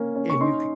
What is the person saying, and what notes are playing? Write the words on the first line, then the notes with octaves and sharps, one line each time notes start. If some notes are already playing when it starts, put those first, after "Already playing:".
And you could
Already playing: A#3 C#4
C#4
C#6
D#4 C6